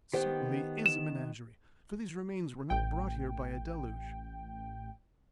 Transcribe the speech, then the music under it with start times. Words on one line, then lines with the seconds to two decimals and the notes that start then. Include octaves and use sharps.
It certainly is a menagerie, for these remains were not brought here by a deluge.
0.13 D#3 B3 G4 C5 G5
0.86 E7
2.70 A1 G5